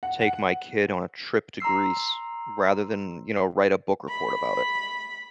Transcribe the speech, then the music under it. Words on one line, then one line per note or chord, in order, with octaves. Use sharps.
take my kid on a trip to Greece rather than, you know, write a book report about it.
F#5
F#5
A#5 C6 E6 C7
B5